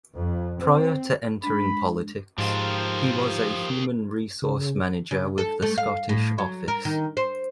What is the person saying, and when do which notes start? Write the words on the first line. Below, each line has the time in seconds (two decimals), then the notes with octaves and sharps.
Prior to entering politics, he was a human resource manager with the Scottish Office.
0.15 F2
0.60 C4
1.44 G#3 D4 B5
2.38 G#2 F3 F4 G4 A#4
4.42 C#3
5.11 C#3
5.38 A4
5.62 A3
5.78 F5
6.09 A2
6.38 F#3
6.68 A#4
6.85 D#3
7.17 C5